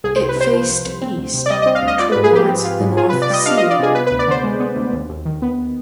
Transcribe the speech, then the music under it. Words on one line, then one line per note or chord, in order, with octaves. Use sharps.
It faced east towards the North Sea.
C2 G#4
C5
C2
B4
C3 C5
F3
C2
C2
C4
D2
C3
D5
G3 D#5
D#5
C4
F5
D2
D#5
F4 D5
B4
G#2
G#4
F3 G4
C4
F4
G#2
F4 G#4
C3 B4
D5
G3 D#5
D4 F5
D#5
F4
D5
C3 G#4
B3 B4
B4
D2
D5
D3 C5
G#3
B3
D2
D#2
D#2
D#3
B3